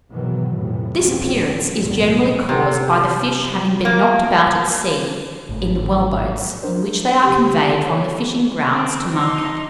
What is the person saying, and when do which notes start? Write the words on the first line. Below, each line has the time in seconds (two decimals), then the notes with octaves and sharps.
This appearance is generally caused by the fish having been knocked about at sea, in the well-boats, in which they are conveyed from the fishing-grounds to market.
0.11 G#2 B2 D#3 E3 F#3
0.53 F2 A2 C3 E3
0.97 E2 A#2 F3 G#3 C4 C#4
1.80 B1 E2 A2 F3 F#3 B3
2.49 C3
3.85 A#3
5.49 G#1 A2
6.63 D4 A#4 C5
7.24 C#3 G4
7.80 A4 C#5
8.71 C4
9.14 D#4 C6